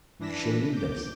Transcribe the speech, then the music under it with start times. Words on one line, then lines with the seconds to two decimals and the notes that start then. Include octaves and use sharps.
You shall lead us.
0.20 E3 D4 A#6 B6 E7
0.73 D6 G6